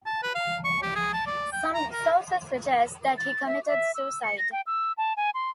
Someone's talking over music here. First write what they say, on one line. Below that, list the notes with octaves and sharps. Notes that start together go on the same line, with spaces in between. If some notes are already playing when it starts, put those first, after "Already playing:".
Some sources suggest that he committed suicide.
A5
B4
F5
C#6
G4
G#4
A5
D5
G5
A#5
A#4
A6
E5
E5
E6
C#7
A#6
G5
E6
A5
G#5
C6